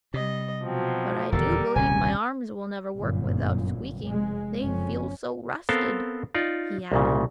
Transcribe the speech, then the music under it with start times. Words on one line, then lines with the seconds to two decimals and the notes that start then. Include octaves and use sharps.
"But I do believe my arms will never work without squeaking, they feel so rusted," he added.
0.14 C3 G3 D#5
0.63 B2 F3 F#3 C4
1.32 D#1 E2 D3 G3 A4 A#4
1.76 D#1 C2 A#2 C#3 G#5
2.98 G1 F#2 A#2
4.07 F1 G#3
4.62 F#1 F2 C#4
5.69 B3 C4 A4 A#4 C5 F5
6.35 D#4 F4 D5
6.92 C2 A#2 C#3